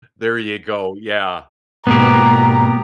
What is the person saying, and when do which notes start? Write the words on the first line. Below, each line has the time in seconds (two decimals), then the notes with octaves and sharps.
There you go, yeah,
1.87 G#2 B2 A#3 B3 G4 A#5